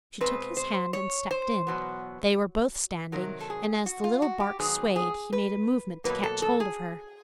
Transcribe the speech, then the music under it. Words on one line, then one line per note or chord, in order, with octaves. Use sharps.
She took his hand and stepped in; they were both standing, and as the little bark swayed he made a movement to catch hold of her.
B2 G#3 C4 B4
C5
C#5
C5
E2 B2 F#3 B3
C3 D#3 F#3 A#4
A4
G#4
F#4
F4
F#4
G4
G#2 D#3 F#3 B3 G#4
G#4
B4
B2 F#3 A#3 B4
A4
A4
G#4